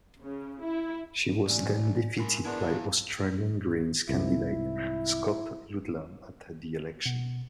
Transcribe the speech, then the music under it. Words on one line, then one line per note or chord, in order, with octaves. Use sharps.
She was then defeated by Australian Greens candidate Scott Ludlam at the election.
C#3
E4
A2 E3 D5 G#5
G#2 A#4 G#5 B5 C6
B3 D4 E4 G#4 A#4 D5 C6
G4 F5 A#5
C2 G#2 E4
B2